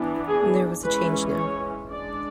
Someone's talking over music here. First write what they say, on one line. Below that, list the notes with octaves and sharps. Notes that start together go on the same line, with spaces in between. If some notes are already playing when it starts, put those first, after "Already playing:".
There was a change now.
Already playing: E3 B3 D4
G#4
E3 G#3 C#4 B4
C#5
G#3 D4 D5